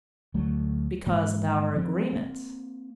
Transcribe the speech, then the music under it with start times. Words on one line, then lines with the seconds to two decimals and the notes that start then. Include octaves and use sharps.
"Because of our agreement."
0.34 D2 F#3 A3
1.07 G#2 E3 G#3 A#3
1.76 F3 C4
2.13 A#3 C4